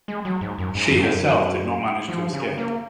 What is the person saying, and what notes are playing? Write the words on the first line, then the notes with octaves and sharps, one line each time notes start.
She herself did not manage to escape.
G#3
F#3
G#2
F#2
G#2
F#2
G#2
F#2
F3
C#3
A#3